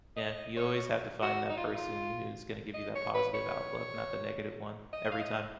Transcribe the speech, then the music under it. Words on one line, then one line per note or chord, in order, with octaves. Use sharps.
Yeah, you always have to find that person who's gonna give you that positive outlook, not the negative one, every time.
D#5
C#5
F#4
D#4
F4
D#4
F4
D#5
C#5
B4
C#5
D#5
F5
D#5